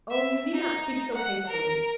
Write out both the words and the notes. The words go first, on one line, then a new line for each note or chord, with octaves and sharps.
'Oh! you need not speak so hastily.
E5
D#4
F#5
A#4